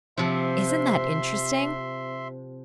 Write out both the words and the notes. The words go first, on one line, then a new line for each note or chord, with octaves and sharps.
Isn't that interesting?
C3 F3 E5 C6